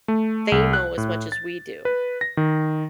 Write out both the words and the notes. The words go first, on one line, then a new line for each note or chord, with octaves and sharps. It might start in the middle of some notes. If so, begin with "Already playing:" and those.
they know as much as we do
A3
C2
F#6
A2
A6
B4
A#6
D#3